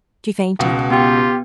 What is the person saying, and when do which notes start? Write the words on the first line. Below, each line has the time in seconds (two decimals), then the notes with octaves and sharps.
She fainted.
0.59 C#2 B2 F#5
0.90 B3 F4 G4 G5